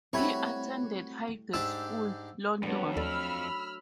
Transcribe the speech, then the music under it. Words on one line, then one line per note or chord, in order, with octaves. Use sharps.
He attended Highgate School, London.
G3 A3 C4 E4 F#4 C#5 B5
G#2 D4 G4 E6
F2 F#3 G3 A3 B3 D4
D#2 A4 D5 B5 E6 F6